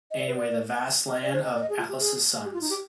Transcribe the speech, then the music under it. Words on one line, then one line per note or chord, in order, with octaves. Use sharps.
Anyway the vast land of Atlas’s sons.
D#5
D5
B4
D5
D#5
D5
C5
D#5
D5
D#5
G#4
F4
G4
G#4
G4
F4
D#4
G4